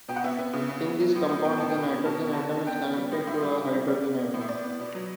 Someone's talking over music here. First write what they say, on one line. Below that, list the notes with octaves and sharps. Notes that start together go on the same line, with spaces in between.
In these compounds the nitrogen atom is connected to a hydrogen atom.
B2 G5
F#5
B3 E5
B3
C#3
B3
B3
F#3
A2
A2
B3 G5
A2 A5
G5
B2
B2
B2 A5
B3
D3 A5
D3
B3 G5
B3
G3
A2
A2 E5
G3
A2
G3
B3 D5
B3
B3
A2
E5
A2 D5
B3
B2
F#3